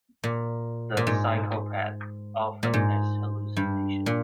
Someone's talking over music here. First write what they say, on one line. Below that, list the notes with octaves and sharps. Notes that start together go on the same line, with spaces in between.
The psychopath often has hallucinations.
A#2
A#2
G#2
A#2
G#2
G2
A#2